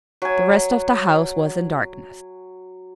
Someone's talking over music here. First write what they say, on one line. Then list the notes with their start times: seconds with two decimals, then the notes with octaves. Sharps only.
The rest of the house was in darkness.
0.22 F#3 G#5